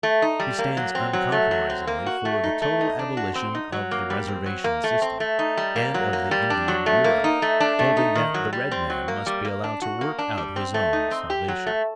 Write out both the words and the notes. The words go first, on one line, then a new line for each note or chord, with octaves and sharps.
He stands uncompromisingly for the total abolition of the reservation system and of the Indian Bureau, holding that the red man must be allowed to work out his own salvation.
A3
D#4
G3
A#3
F#3
C4
F#3
A3
F#3
C4
A#3
F#4
A3
D#4
A3
D#4
D4
F#4
C4
D#4
F#3
A#3
G3
C4
F#3
A#3
A3
C4
A3
D#4
G3
A#3
F#3
A#3
G3
D4
F#3
A3
A#3
D#4
A3
D4
A3
D#4
D#3
F#3
G3
C4
F#3
A#3
G3
A#3
D4
F#4
A#3
D4
G3
C4
A3
D#4
C4
G4
F#3
A3